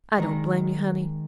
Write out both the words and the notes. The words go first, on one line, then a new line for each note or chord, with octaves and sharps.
I don't blame you, honey.
D#3 G#3 D#4